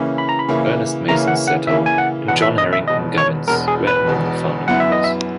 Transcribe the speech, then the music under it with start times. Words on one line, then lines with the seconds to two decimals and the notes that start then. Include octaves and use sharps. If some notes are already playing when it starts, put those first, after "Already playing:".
Ernest Mason Satow and John Harington Gubbins were among the founder members.
Already playing: C#3 E3 A#3 C#4 E4
0.18 B5
0.29 A#5
0.39 B5
0.48 C#3 E3 A#3 C#4 E4
1.08 C#3 E3 A#3 C#4 E4 A#5
1.28 F#5
1.47 F#5
1.67 C#3 E3 A#3 C#4 E4 E5
1.86 G#5
1.98 F#5
2.27 E1 E2 B2 F#5
2.42 E5
2.58 D#5
2.73 E5
2.88 E1 E2 B2 D#5
3.18 C#5
3.48 E1 E2 B2 A#4
3.68 G#4
3.87 B4
4.07 E1 E2 B2
4.68 F#2 E3 B3 E4 F#5
4.80 E5
4.92 D#5
5.04 E5